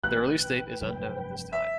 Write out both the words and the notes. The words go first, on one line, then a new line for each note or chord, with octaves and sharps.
The release date is unknown at this time.
A1 D2 B2 B4 G5 F#6
F1 G2 F#3
E5